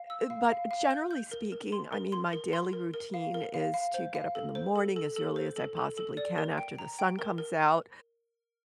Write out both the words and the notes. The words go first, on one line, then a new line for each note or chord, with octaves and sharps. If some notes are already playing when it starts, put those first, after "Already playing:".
eh but, generally speaking, I mean, my daily routine is to get up in the morning as early as I possibly can after the sun comes out,
Already playing: F5
E6
F5
F5
F5
G6
G6
A#4
A#4
C6
A#4
C6
A#4
C6
A#4
A#4
F5
A#4
F5
F5
C5
F5
A4
C5
A4
A4
A4
C5
A4
A4
A4
D5
A#4
G5
A#5
G5
A#4
A#4